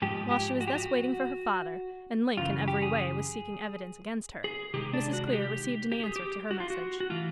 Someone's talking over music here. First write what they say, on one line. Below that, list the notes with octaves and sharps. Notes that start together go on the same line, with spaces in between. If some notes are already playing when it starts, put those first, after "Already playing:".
While she was thus waiting for her father, and Link in every way was seeking evidence against her, Mrs. Clear received an answer to her message.
G#2 F3 G#3 G4
G4
F#4
G4
F#4
F#2 C#3 E3 F4
G4
G#4
G#4
C3 D#3 G#3 G4
D4
F#4
G#4
G4
G4
G#4
G4
F#4
F4
F#4
F#4
E3 A3 F4